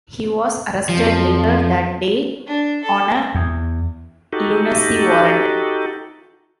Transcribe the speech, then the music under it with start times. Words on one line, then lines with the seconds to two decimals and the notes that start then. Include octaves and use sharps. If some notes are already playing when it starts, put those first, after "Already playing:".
He was arrested later that day on a lunacy warrant.
0.89 F2 F3
2.47 D4
2.84 A4
3.35 E2
4.33 D#4 F#4 G4 A4